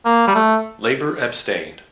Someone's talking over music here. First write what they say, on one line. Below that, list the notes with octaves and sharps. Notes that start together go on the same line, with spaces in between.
Labour abstained.
A#3
G3
A3